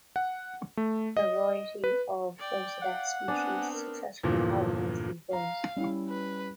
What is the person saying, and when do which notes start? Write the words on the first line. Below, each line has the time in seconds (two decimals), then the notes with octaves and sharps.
A variety of "Osedax" species successfully colonized these bones.
0.16 F#5
0.77 A3
1.17 D#5
1.84 B4
2.39 D5 G5
2.81 F5 F#5
3.28 B3 C4 D4 G#5
3.74 A#4
4.23 E2 G2 A#2 D3 F3
5.33 F5 A#5
5.76 G3 C#4 E4
6.09 B4